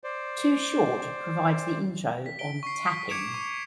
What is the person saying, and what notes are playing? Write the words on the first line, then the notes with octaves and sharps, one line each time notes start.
Too Short provides the intro on "Tap In".
C5 D5
B6
D7 G7
C#6 C7
B6
D6 G#6 C#7 D7 E7 F7
C#6